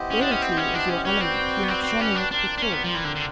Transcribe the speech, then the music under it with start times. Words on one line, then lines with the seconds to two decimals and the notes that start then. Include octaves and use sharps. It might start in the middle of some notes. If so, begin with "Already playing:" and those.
Gaiety is your element, you have shone in it before.
Already playing: B3 E4 G4 C5 D#5
0.10 C#4
0.21 D4
0.31 C#4
0.42 C4
0.57 C#4
0.74 D4
0.89 C#4
1.05 C#4 F#4 B4 D5 G5
1.21 C4
1.63 B3
1.68 C4
1.83 C4
1.99 C#4
2.15 D4
2.30 C4 D4 F4 A#4 D5 G5
2.58 D4
2.62 C#4
2.72 B3
2.84 F3
2.95 E3
3.05 D3
3.16 D3